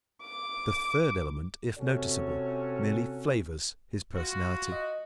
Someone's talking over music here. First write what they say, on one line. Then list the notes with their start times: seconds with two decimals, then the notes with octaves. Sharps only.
The third element, if noticeable, merely "flavors" his personality.
0.22 D6
1.78 C3 C#4 F#4 A4 C#5
4.14 F4 F#4
4.72 D#5